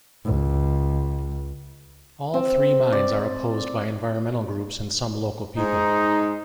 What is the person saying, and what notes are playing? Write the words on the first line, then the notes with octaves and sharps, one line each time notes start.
All three mines are opposed by environmental groups and some local people.
C#2
C4
D5
G#2 G#3 D#4